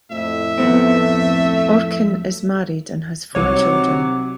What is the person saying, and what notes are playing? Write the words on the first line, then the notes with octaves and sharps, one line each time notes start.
Orkin is married and has four children.
F2 A2 E5
F2 A3 B3 C4
C2 C3 D#3 F#3 C#5 D6